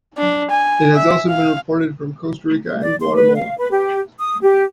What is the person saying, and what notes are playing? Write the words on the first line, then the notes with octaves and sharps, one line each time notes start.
It has also been reported from Costa Rica and Guatemala.
D4
G#5
E5
F5
D5
C6
B4
F5
B4
G4
D#6
G4